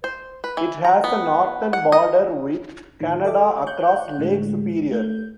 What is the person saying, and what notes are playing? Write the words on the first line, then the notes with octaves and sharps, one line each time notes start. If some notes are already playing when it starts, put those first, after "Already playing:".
It has a northern border with Canada across Lake Superior.
C5
B4
E3
A#5
B3
F#5
D#5
A2 D#3
A4 D#5 E5 D6
C#5 C#6 F#6 G6
A2 D3 G#3
A3 G6